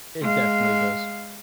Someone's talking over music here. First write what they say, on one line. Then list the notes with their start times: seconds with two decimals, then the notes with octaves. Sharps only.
It definitely does.
0.21 G#3 F5